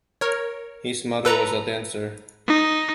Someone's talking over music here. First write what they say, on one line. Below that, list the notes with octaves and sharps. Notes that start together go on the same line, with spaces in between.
His mother was a dancer.
A#4 C#5
A4 B4 A#5
D#4